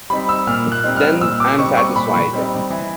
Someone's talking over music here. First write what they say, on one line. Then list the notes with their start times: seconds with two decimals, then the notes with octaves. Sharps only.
Then I am satisfied.
0.10 G3 C4 D#4 B5
0.29 E6
0.47 A#2 F6
0.72 F#6
0.84 G3 C4 D#4
0.96 F6
1.21 A#2 E6
1.40 D6
1.59 G3 C4 D#4 C#6
1.77 C#6
1.95 A#2 B5
2.33 G3 C4 D#4
2.70 E3